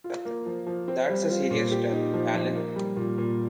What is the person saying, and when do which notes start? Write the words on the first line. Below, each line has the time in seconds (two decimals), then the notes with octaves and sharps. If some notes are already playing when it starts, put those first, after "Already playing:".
That’s a serious step, Alan!
0.04 F4
0.25 A#3
0.46 F3
0.67 F3
0.88 C4
1.09 G3
1.30 F4
1.51 A#2
1.71 G4
1.92 D#4
2.14 F3
2.34 F3
2.56 A#3
2.76 G3
2.97 A#2
3.18 A#2